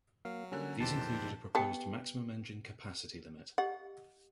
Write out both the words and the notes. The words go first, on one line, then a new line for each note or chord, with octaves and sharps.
These included a proposed maximum engine capacity limit.
F#3 A#3 F5
D3 G3 A#3 C#4
E2 A#2 F3 D#4 G4 C5 A5
B3 G4 D#5 G5 A5
G4 D#5 F#5